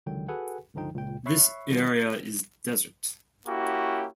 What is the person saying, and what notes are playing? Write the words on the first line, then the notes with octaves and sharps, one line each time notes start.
This area is desert.
C#2 D3 D#3 F#3 G5
F#4 G#4 A4 B4 F#5 G#5
C#2 G2 D3 F3 D#4 G5
C#2 A#2 G5
C#5 E5 B5 C#6 F#6 C7
D#3 G3 F4
A#3 C#4 E4 F#4 G4